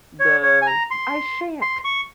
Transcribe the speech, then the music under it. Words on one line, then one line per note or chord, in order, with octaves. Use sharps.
the "I shan't,
C#5
C#5
G#5
A#5
C6
C6
C#6